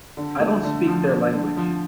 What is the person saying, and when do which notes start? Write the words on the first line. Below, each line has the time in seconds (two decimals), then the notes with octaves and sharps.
I don't speak their language.
0.17 D3
0.40 A3
0.64 D3
0.87 F3
1.10 D3
1.34 D3
1.57 F3